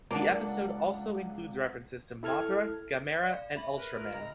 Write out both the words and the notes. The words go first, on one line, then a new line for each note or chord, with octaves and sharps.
The episode also includes references to Mothra, Gamera, and Ultraman.
C#2 A#3 D4 D5 F#5
E4 A4 F6 G#6
D5 F5
E5 B5 F#7
A#4 B4
F4 A#4
C#3 C4 D#5 A#5